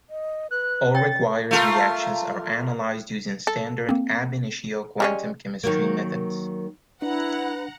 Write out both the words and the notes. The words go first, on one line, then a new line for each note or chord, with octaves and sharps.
All required reactions are analyzed using standard ab initio quantum chemistry methods.
D#5
B4 F#6
C#5 G5 A6
A3 F4 A#4
A4
A#3 C4
G3 G#3 C#4
D#3 F#3 A#3
D4 E4 B4 F#5 A#5